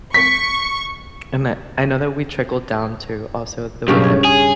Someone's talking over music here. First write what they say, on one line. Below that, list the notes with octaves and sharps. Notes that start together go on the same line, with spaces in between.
And that I know that we trickled down to also the way that
C#6 B6
B1 G2 C#3 G4
C#5
G#4